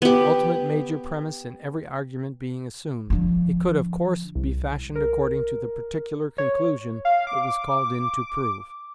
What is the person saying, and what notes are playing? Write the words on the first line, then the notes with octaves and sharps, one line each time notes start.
The ultimate major premise in every argument being assumed, it could of course be fashioned according to the particular conclusion it was called in to prove.
B3 G4
D3 F3
C2
A#4
C#5
F5
D6